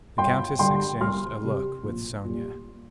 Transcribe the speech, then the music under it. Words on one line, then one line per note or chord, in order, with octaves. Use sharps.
The countess exchanged a look with Sonya.
G1 G5 C6
G2 D3 G3 G5 C6
C2 C6 F6
C3 G3
A#1
A#2 G3